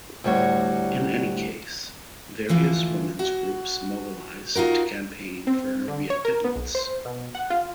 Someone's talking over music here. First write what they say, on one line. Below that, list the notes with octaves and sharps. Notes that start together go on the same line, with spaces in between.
In any case, various women's groups mobilised to campaign for her readmittance.
D2 A2 G3 F#4 C#5
D2 E3 F3 F4
F#4
D#4 F4 F#4 A#4
C4
D3
C#5
A#4
B3
B1
C5
B2
F#5
F4